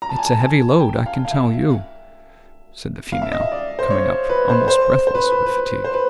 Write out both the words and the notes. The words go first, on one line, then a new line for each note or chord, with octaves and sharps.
'It's a heavy load, I can tell you,' said the female, coming up, almost breathless with fatigue.
A#5
A5
G#5
A5
G#5
G5
F5
F5
E5
F5
E5
D#5
E5
D5
C5
C#5
B4
C5
C5
C5
B4
B4
B4
C5
B4